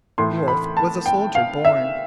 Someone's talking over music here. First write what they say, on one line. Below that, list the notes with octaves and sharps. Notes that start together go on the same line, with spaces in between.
Wolfe was a soldier born.
A2 E3 A3 C6
B5
A5
G5
F5
E5